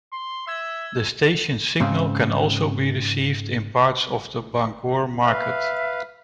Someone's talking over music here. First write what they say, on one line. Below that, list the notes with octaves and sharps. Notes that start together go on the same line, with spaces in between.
The station's signal can also be received in parts of the Bangor market.
C6
E5 E6 G#6
G#2 C#3 C4
B4 E5 F5